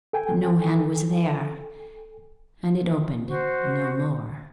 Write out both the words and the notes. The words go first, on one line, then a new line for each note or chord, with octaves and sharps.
But no hand was there, and it opened no more.
A4 G5 G#5
F#4 C5